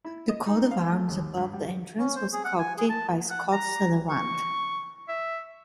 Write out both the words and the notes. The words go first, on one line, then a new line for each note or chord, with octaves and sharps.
The coat of arms above the entrance was sculpted by Scott Sutherland.
E4
D#5
D#4
F5
A3
D#2
G2
G3
C#4
C5
G#4
F#5
G#5
G#4
A5
F#5
A#5
C#6
E5